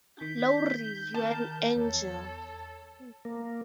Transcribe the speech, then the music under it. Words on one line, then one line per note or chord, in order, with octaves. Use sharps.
Laurie, you're an angel!
D#3 G6 B6
A#4 A5
E2 A4 C#5
A#3